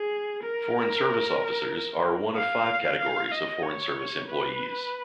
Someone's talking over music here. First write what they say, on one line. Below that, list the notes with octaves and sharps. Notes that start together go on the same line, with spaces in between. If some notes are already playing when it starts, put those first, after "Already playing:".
Foreign Service Officers are one of five categories of Foreign Service employees.
Already playing: G#4
A#4
F5
F5
D#5
C#5
B4